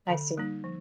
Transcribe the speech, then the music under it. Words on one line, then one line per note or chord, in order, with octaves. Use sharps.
I see.
D3
G3 A#3 D#4
F3